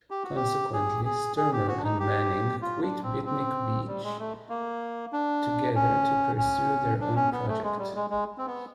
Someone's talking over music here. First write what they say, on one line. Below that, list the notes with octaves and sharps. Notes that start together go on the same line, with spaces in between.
Consequently Sturmer and Manning quit Beatnik Beatch together to pursue their own project.
G4
F#4
G4
G#4
G#4
G#4
G4
F#4
D4
D#4
G4
F4
D4
C4
C4
G3
G#3
A3
A#3
D4
C#4
C#4
D4
C#4
B3
A3
G#3
G3
G#3
G#3
C4
B3